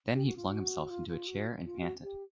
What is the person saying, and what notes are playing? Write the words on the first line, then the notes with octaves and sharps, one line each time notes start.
Then he flung himself into a chair and panted.
G4
F#4
F4
F#4
F4
F4
F#4
F4
F#4
G4